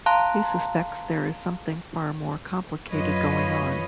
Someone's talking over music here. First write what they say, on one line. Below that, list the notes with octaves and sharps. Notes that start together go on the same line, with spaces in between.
He suspects there is something far more complicated going on.
F5 A5 A#5 C6 F#6
F#2 F4 B4 C#5 D#5